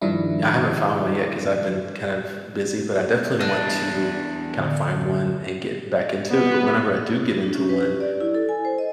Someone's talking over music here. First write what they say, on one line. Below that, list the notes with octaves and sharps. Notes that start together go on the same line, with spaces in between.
I haven't found one yet 'cause I've been kind of busy, but I definitely want to kinda find one and get back into it, but whenever I do get into one,
G2 D#3 F3 D4 E4
E2 D4 D#5
A2 D3
B3
D4
C#4
B4
G4
D5
E4
A4
G#5
C5
D#5